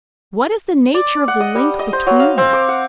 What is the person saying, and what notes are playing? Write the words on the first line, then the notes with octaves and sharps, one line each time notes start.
What is the nature of the link between them?
D5
F#5
D#5
G3
D#5
C5
F#3
F5
C4
D6
F#5